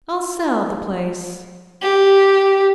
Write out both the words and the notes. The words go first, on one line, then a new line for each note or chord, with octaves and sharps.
"I'll sell the place."
G4